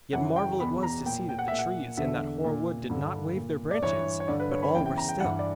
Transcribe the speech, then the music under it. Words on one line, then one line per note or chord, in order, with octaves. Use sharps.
Yet marvel it was to see that the trees in that hoar wood did not wave their branches, but all were still.
F#2 C#3 E3 F#5
G5
E2 B2 B5
A#5
A#2 G5
G5
F#5
A#2 E5
F#5
E2 D3 E5
A#2
G2 D3
A#2
D5
G2 E3 C#5
C#5
G2 D3 D5
B4
C#5
B5
E2 C#3 E3 G5
G5
A#5
G5
G2 E3 F#5
D5